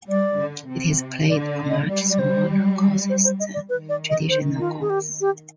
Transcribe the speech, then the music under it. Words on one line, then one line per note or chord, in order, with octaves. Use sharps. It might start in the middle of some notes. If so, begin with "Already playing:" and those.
It is played on much smaller courses than traditional golf.
G3 D5
D3
C3
D3 D5
D5
D#5
G3 D5
D5
C5
C5
C5
D#5
D5
D#3 B4
D5
D#5
C5
F4
G#4
G4
G4